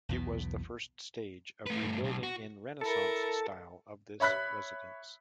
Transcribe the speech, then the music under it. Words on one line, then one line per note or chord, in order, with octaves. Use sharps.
It was the first stage of rebuilding in renaissance style of this residence.
B1 E2 B2 B3
A3 B4
G2 A3
B1
F#4
E4 A4 A#4
C#5 E5 B5 F#6 B6